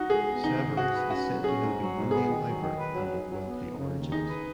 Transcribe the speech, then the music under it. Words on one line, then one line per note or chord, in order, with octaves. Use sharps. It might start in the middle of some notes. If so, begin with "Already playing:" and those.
Severus is said to have been Indian by birth and of wealthy origins.
Already playing: D#4 F#4
G#3 G#4
B3
D#3 D#4
G#2
F#4 G#4
B4
C#4 F#4
F#3
C#4 G#4
G#2
F#3
G#2
B3 G#4
D#3
F#3
D#3
B4
F#3
D#4
F#3
B3
D#4
C#3
D#2
D#4 G#4
B4